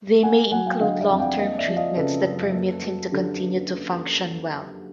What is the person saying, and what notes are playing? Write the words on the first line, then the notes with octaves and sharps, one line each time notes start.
They may include long term treatments that permit him to continue to function well.
A#3 F#5 G#5
F#3 F#5 G#5
F5 G5
D3 D#5 F5
D5 E5
F2
F5 G5
A#3 D#5 F5
D5 E5
F3
D#5 F5
C#3 A4 B4
F#2
A#3
F#3
D3 G4 A4